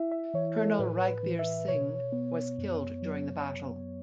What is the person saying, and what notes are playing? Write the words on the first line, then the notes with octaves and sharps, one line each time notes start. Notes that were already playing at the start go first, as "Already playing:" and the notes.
Colonel Raghbir Singh was killed during the battle.
Already playing: E4 E5
E5
E3 C#5
A4
A2 B4
B4
E3
E5
B2 C#5
B3
F#2
F#3